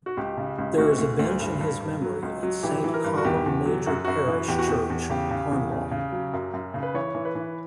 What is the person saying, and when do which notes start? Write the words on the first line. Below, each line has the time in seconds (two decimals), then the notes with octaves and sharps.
There is a bench in his memory at Saint Columb Major Parish Church, Cornwall.
0.06 F#4
0.17 C#2 G4
0.37 C#3
0.59 C#2
0.78 D2 F#4
0.98 D2
1.19 D2
1.40 G2
1.61 G2
1.81 G2
2.02 F#3
2.23 C#2
2.43 F#3
2.63 E3 G4
2.84 E3
2.94 A#4
3.04 G2
3.18 F#4
3.25 E2 G4
3.46 E2
3.66 F#3
3.86 F#2 F#4
4.05 F#2 F#4
4.28 E3
4.48 E2 G4
4.59 F#4
4.68 E2 G4
4.90 E2
5.09 C#3 G4
5.31 C#3
5.51 E2
5.72 C#3
5.91 C#3
6.12 F#3
6.33 F#2
6.54 F#2
6.74 C#3
6.83 B4
6.94 E3 C#5
7.15 E3
7.25 B4
7.35 E3